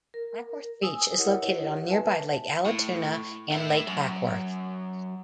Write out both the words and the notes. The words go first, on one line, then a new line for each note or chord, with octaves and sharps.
Acworth Beach is located on nearby Lake Allatoona and Lake Acworth.
A#4
G#5 D#6 E6
E4 G4 A#4 C#5 D#5 F#5
B4 E5 G#5 A5
A2
A3 E4
F#2